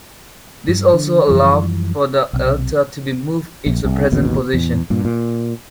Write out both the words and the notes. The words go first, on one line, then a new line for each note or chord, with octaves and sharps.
This also allowed for the altar to be moved to its present position.
G2
D3
F#2 E3 F3 G3
B1 C3
A#1
C2
A1 D#2 B2
E2
G2 A#2
A#2